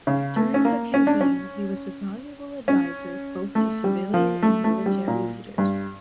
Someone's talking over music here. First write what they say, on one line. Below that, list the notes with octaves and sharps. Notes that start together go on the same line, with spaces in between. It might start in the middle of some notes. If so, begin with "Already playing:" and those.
During the campaign he was a valuable advisor both to civilian and military leaders.
C#3
A3
C#4
A#3
C#4
D4
C#4
C#4
A3
G3
F3
A3
A3
G3
A#2
G2